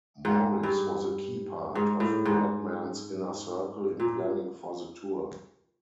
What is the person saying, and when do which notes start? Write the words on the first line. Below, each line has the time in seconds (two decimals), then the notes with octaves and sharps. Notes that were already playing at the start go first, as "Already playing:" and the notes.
Morris was a key part of Bradman's inner circle in planning for the tour.
0.25 G#2
0.63 G2
1.75 G#2
2.00 A2
2.25 G#2
4.00 A#2